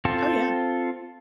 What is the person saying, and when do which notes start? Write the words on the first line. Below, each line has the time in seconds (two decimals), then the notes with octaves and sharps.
Oh, yeah.
0.05 C4 F4 A4